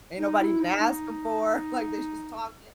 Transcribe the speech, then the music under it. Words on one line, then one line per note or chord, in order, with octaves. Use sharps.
ain't nobody even asking for, like, they just talking.
D#4
E4
D#4
D#4